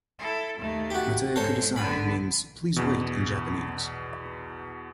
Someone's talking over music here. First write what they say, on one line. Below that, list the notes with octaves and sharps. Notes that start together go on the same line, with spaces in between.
"Matte Kudasai" means "please wait" in Japanese.
E4 A4
D#2 A3
F#4 G4
G#2 A4 C5 C#5
D3 B3 B5
E2 B2